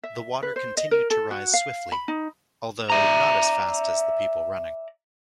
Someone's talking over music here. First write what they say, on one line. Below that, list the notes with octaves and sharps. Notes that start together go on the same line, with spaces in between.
The water continued to rise swiftly, although not as fast as the people running.
E5
B4
C5
D#5
A#4
A4
F#4
F5
B5
D#4
D5 E5 A#5